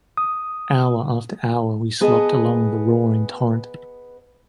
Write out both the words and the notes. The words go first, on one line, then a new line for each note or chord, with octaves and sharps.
Hour after hour we slopped along by the roaring torrent.
D#6
B3 G#4 B4 D#5 G#5 A5